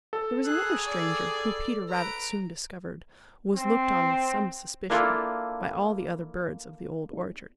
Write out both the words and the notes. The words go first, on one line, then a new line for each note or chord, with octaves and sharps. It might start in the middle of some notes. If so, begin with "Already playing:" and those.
There was another stranger who, Peter Rabbit soon discovered, was looked on with some suspicion by all the other birds of the Old Orchard.
A4
G3 G#4 F#6
D5
B4 A#5 D7
C4
A#3 D4 E4 F4 A4